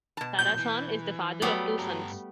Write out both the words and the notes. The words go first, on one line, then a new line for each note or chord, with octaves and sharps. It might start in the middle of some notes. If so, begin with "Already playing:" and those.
Sarasohn is the father of two sons.
B2 A5
A#2 F#3 G6
E3
F#3 G3 A3 B3
G2 A4 A#5